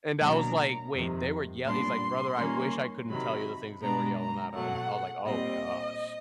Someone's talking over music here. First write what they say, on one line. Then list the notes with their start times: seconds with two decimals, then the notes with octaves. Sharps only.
And I was like, "Wait, they were yell" he's like, "Brother, I wish I couldn't tell you the things they were yelling at him." I was like, "Oh gosh."
0.21 B2 F#3 A#3 D4 A#5
0.93 F2 C3 D#3
1.65 A#2 G3 B3 D4 C6
2.37 D#3 G3 A#3 C#4
3.09 C3 D#3 F#3 B5
3.81 B2 G#3 B3 D4 A#5
4.17 A#5
4.53 B2 F#3 A3 F#5
5.25 A#2 G3 C4 D#5